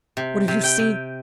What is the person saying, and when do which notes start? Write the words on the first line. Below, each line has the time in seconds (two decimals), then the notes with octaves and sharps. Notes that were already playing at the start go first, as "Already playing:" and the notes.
What have you seen?
0.17 C3
0.48 C3
0.64 G5
0.79 C3